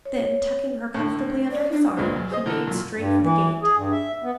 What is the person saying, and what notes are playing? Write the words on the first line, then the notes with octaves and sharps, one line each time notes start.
Then, tucking her comfortably under his arm, he made straight for the gate.
C#5
A2 D3
D5
D4
D2 G2 A#2 G#3 C5
F#2
G#4 C5 D#5
D3 E3 A#4
F#2 A#2
G2
E3
G#4
G2
E5
B3